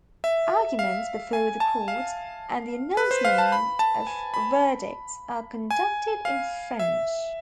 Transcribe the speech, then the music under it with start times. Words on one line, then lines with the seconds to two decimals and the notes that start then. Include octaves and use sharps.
Arguments before the courts, and the announcement of verdicts, are conducted in French.
0.24 E5
0.79 F5
1.33 G#5
1.60 A5
1.88 F5
2.97 B4
3.11 C5
3.25 F5
3.38 A5
3.52 B5
3.79 A5
4.07 G#5
4.34 B5
5.71 G#5
6.25 F5
6.79 E5